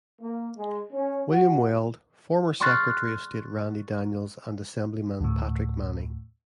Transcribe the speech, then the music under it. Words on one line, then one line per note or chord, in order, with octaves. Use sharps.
William Weld, former Secretary of State Randy Daniels, and Assemblyman Patrick Manning.
A#3
G#3
C#4
F#4
C6 C#6 F6 F#6 A6 C7
D2 A2